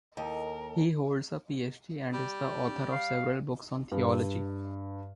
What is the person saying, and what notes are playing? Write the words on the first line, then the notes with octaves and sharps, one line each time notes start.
He holds a PhD and is the author of several books on theology.
D#2 A4 A#4 D#5
G3
F5
G2